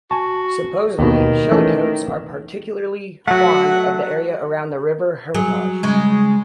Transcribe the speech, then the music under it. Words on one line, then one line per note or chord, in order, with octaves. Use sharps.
Supposedly, shellycoats are particularly fond of the area around the River Hermitage.
F#4 G#5 A5
D#2 B2 D#3
E3 A3 C#4
F#3 A3 F#4 F#5
F#3 G#4
C#3 G#3